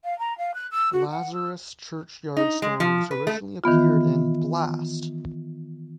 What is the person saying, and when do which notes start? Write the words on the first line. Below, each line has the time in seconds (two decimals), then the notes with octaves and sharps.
Lazarus Churchyard stories originally appeared in Blast!
0.04 F5
0.19 A#5
0.37 F5
0.54 F#6
0.71 E6
0.92 F#4
1.10 F#5
1.33 E6
2.37 D#4
2.62 G#3
2.80 F3
3.11 B4
3.27 A3
3.64 D#3 E3 B3 F4